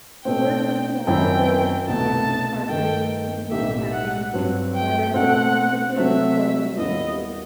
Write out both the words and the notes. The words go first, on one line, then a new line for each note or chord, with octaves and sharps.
The work of philosophers Nancy Cartwright and Ian Hacking are representative of these ideas.
B2 A3 C4 G5
F#2 D#3 F#3 C4 E4 G5
C2 B2 A3 A5
G2 D#3 A3 D#4 G5
B1 A2 G3 D#4 G4 E5
F#5
G2 F#3 C4
G5
B2 A3 C4 F#5
C3 F#3 A3 C4 E5
D#2 D#3 G3 B3 E4 D#5